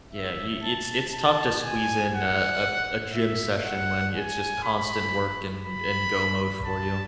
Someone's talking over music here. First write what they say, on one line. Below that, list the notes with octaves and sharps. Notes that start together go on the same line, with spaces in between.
yeah, you it's it's tough to squeeze in a a a gym session when it's just constant work and and go mode for you.
E5
A5
A5
G#5
F#5
E5
F#5
G#5
B5
B5
A5